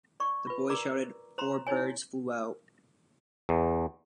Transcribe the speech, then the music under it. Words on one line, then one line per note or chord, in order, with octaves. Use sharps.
The boy shouted; four birds flew out.
D5 C#6
F4 B4
A#4 D5 A#5 D6
C5 A#5 C6
D#4 E4 C#5 G#5
E2